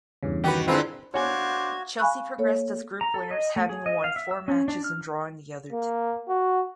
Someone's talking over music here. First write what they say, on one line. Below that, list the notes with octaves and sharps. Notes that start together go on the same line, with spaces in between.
Chelsea progressed as group winners having won four matches and drawing the other two.
E2 G2 C#3
D#3 F#4 G4 B4
D3 G#3 C4 E4 F4 A#4 B4
D4 F#4 C5 C#5 F5 G#5 G#6
F5 G#5 B5 C#6 F#6
A#3 A4 C#5
A#5
A4
D#5
A3
G#4
D#5
F5
E5
E6
C#4
D4
F6
A#3
F#4